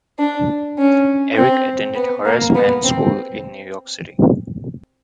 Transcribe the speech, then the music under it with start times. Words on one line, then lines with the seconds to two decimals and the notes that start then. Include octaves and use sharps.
Erik attended Horace Mann School in New York City.
0.19 D4
0.78 C#4
1.37 C4
1.95 B3
2.25 A#3
2.55 B3
2.84 C4